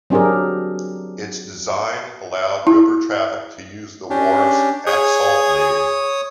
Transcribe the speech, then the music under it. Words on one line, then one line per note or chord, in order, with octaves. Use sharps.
Its design allowed river traffic to use the wharfs at Saltney.
F#3 C4 D4 G4 G#4 A#4
E4
C#4 D4 G4
G#4 C#5 D#6